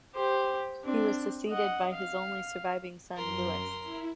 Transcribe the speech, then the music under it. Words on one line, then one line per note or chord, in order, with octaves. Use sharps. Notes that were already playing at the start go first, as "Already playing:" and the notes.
He was succeeded by his only surviving son Louis.
G4 C5
C4 D4
D#5 F#5
F5
F#2 A#4 C6
E4